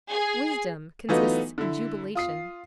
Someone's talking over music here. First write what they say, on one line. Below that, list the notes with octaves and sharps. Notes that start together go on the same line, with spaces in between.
Wisdom consists in jubilation.
G#4
E3 F#3 A3 B3 D#4 F4
D3 E4
F4 D#6 C7